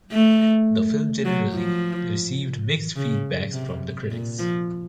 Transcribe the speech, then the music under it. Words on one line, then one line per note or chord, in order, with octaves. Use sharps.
The film generally received mixed feedback from the critics.
A3
F#3
F3
C#3
C3
A#2
F3